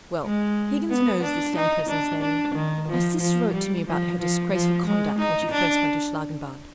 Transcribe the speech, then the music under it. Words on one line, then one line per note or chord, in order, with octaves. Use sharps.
Well, Higginson knows this young person's name; my sister wrote to me about her disgraceful conduct when she first went to Schlangenbad.
G#3
B3
D4
D#4
D4
D4
D#3
F3
F3
G3
F3
F3
F3
G#3
D#4
D4